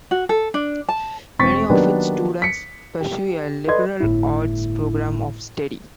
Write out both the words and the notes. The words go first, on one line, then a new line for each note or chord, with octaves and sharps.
Many of its students pursue a liberal arts program of study.
F#4
A4
D4
A5
E1 C4 C#6 A6 B6
D#3 F#3 A#3 B3 D4 G4
B6 C#7
G4
A4 B4 D5 D#5 C6 G#6
G1 A2 E4